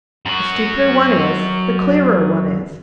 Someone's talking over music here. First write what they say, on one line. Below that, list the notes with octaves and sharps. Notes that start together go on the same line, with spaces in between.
The stupider one is, the clearer one is.
F#2 F#4